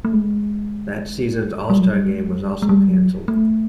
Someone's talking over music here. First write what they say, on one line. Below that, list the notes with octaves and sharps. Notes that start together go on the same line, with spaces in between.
That season's All-Star Game was also canceled.
A3
G#3
G3
F#3
G3
G#3
F#3
G3
G#3
G#3
G3
F#3
A3